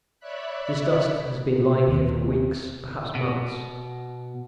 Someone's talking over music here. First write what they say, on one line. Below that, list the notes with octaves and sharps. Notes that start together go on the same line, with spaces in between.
This dust has been lying here for weeks, perhaps months.
C#5 D5 E5 B5 F#6
D#2
B2